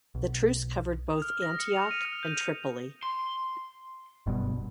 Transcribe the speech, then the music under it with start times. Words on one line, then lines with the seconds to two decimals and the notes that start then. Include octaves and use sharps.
The truce covered both Antioch and Tripoli.
0.15 B1
1.10 D#6
1.22 F6
1.42 A#6
1.59 C#7
1.73 F7
1.91 D#7
2.05 F6
2.23 G6
2.37 F7
3.03 C6
4.26 F#1 G2 B2